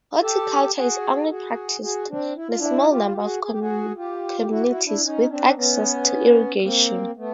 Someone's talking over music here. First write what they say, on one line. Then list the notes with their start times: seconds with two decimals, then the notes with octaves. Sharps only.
Horticulture is only practised in a small number of communities with access to irrigation.
0.21 G4 A4
0.75 F#4 G#4
1.23 A4
1.28 F#4 G#4
1.82 F#4 G#4
2.09 C4 D4
2.36 E4
2.47 F4
2.58 D4 E4
2.89 F4 G4
3.12 G4
3.15 F#4 G#4
3.42 G#4
3.51 G4
3.59 F#4 G#4
3.96 F4 G4
4.40 G4
4.49 E4 F#4
4.60 G4
4.67 E4 F#4
4.85 D4 E4
5.03 C#4 D#4
5.29 C4 D4
5.56 B3 C#4
6.63 A#3 C4
7.17 A3 B3